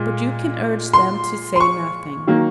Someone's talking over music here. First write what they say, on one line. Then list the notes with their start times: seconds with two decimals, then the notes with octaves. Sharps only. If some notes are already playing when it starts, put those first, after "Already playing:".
'But you can urge them to say nothing.
Already playing: A#2 G#3
0.93 C6
1.56 C6
1.60 C#6
2.27 D#3 F#3 A#3